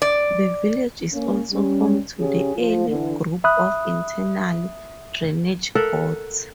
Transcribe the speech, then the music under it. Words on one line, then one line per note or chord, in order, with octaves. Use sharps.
The village is also home to the Ely Group of Internal Drainage Boards.
D5
A#3 C#4
G3 C#4
C#3 C#4 G4 G#4
F3
D3 E3
E5 B5 D#6 F#6
A4 A#4 E5 F#5